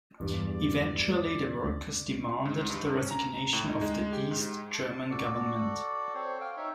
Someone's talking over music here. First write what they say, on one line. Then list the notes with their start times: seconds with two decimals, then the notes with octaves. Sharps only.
Eventually, the workers demanded the resignation of the East German government.
0.20 E2 G2 D5
2.45 G#2
2.70 G2
2.94 C#4
3.11 A#5
3.53 A2
3.68 D#4
3.81 G#3
4.13 G4
4.31 G#2
4.74 A5
5.10 F#4 A4 D5
6.14 C4 A4 C5 C#5
6.41 F5 G5
6.57 D#4 C#5 E5